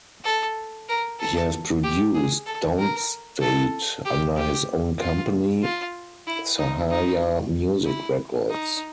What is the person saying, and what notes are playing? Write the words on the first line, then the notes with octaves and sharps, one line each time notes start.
He has produced Downstait under his own company, Sahaja Music Records.
A4
A#4
A4
G4
G#4
A4
A#4
A4
G4
G4
F4
F4
E4
D#4
D#4
E4
D#4